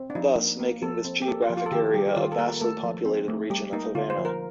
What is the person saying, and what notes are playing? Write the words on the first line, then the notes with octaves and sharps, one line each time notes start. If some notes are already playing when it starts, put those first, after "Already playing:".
Thus, Making this geographic area a vastly populated region of Havana.
Already playing: C4
D4
F3 D#4
A#3
A#3
F3 A4
C4
G4
A#3 A4
F4
F3
F4
A4
D#3 G4
G3 G4
G4
D#3 F4
A4
A#3 A#4
A3 A4
F3
C4
A3
G3 G4
A#3 D#4
D3 F4
C5
F3
A#4